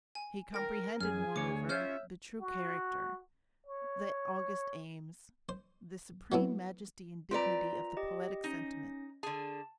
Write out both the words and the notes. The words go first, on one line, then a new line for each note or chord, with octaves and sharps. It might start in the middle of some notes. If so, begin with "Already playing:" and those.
He comprehended, moreover, the true character, the august aims, the supreme majesty and dignity of the poetic sentiment.
G#5
A#4 G5 A#6
F#2 G#4 G#5 F6
D2 C#5 D6
C#4 F4 C#5 E5 F6 G6
F#4
C#5
C5
F#3 A3 B3 E4
C4 F4 B4 D5 A#5
G4 D#5
C#4 D#4 A#6
D3 G#4 A5